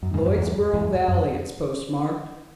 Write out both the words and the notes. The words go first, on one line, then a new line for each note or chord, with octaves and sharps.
Lloydsboro Valley it's postmarked.
F#2
E2 G#2
F#2
E2 G#2
E2 G#2
F#2